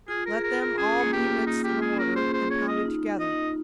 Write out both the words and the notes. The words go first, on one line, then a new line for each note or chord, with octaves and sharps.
Let them all be mixed in a mortar, and pounded together.
F4 G#4
A#4
G#4
A#4
F4
A#4
C#4 G#4
A#3
G4
F4
A#3 D#4
G4
F4
G#4
C#4
A#4
G#4 C5
C5
C#4
C#5
F4
D#5
D#4
D#4
D#5
D#4